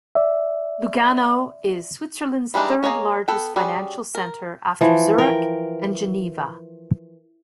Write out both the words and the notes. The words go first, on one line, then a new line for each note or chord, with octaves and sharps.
Lugano is Switzerland's third largest financial center after Zurich and Geneva.
D5 E5
E3 G3 G#3 D4 D#4
A#3 D4 G#4 C#5 D#5
B3 A4 G5
G3 C#4 F#4 G#4
A#4
E3 F3
A#4 G5